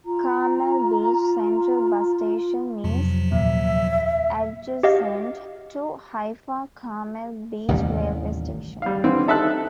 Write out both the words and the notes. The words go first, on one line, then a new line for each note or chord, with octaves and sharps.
Carmel Beach Central Bus Station is adjacent to Haifa Carmel Beach Railway Station.
F4 A#5
F2 C3 F3 F#3
D#2 A#2 E5
G4 D#5 F5
A1 D#2 C3 G3
G3 F5
D3 E3 C4
D#4 A4 E5 A5 F#6